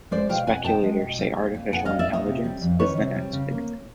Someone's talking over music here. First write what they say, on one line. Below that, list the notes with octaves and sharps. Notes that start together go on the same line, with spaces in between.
Speculators say artificial intelligence is the next big thing.
G#3 C5 D5
B2 F5 G5
B2 F#5 G#5
B3 G5 A5
G#3
B2
G3
A#2
A#2
B3 F#5 G#5
G3 D#5 F5
D5 E5
A#2 C#5 D#5
C3
G3
F2
D#3 B4 C#5
C3
G3
C#3
A#3